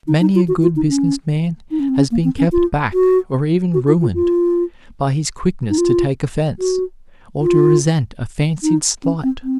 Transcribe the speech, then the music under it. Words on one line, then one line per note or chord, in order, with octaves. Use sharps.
Many a good business man has been kept back, or even ruined, by his quickness to take offense, or to resent a fancied slight.
D#4
D#4
F4
F#4
F4
D#4
C#4
D#4
C#4
C4
C#4
A#3
C4
C#4
F4
F#4
F#4
F4
F4
F4
D#4
F4
F#4
F4
D#4
C#4
C4
C4